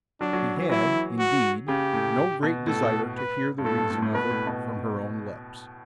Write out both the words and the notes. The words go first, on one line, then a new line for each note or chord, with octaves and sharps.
He had, indeed, no great desire to hear the reason of it from her own lips.
F#3 D4
F#3
E3
F#3 E4
F#4
C#3 G4
A2
B2
A2 A4
B2
B4
G2
A2 A4
G2
A2
A2
B2 B4
A2
B2